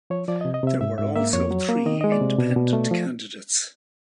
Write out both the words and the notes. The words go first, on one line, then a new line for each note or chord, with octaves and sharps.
There were also three independent candidates.
F3 C#5
F3 D5
C3 D#5
D#5
C3 E5
G#2 E5
G#2 E5
A#3 E5
F2 C#5
F#3
A#3
D#3 D#5
G#3 D#5
D5
C3
B2
B2
A3
F3